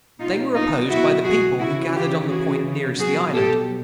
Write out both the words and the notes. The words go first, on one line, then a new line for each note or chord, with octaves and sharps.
They were opposed by the people who gathered on the point nearest the island.
B2 F#3 D#4 F4
D#4 F4
E4 F#4
F#4 G#4
C#3 E3 E4 F#4
F4 G4
F#4 G#4
B2 F#3 F#4 G#4
G4 A4